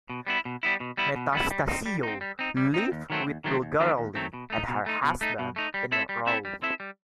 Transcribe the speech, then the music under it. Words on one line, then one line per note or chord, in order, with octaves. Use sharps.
Metastasio lived with Bulgarelli and her husband in Rome.
B2
G3 B3 E4
B2
G3 B3 E4
B2
G3 B3 E4
B2
G3 B3 E4
G3
C4 D#4
G3
C4 D#4
G3
C4 D#4
G3
C4 D#4
D#2
D#3 F#3 A3 C4
D#2
D#3 F#3 A3 C4
D#2
D#3 F#3 A3 C4
D#2
D#3 F#3 A3 C4
B2
A3 D#4
B2
A3 D#4
B2
A3 D#4
B2
A3 D#4
G3
C4 E4 A4 E5
G3
C4 E4 A4 E5
G3
C4 E4 A4 E5
G3